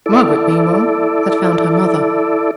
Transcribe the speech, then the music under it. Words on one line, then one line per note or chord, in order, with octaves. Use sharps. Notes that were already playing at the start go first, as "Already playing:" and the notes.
Margaret meanwhile had found her mother.
E4 A4 D5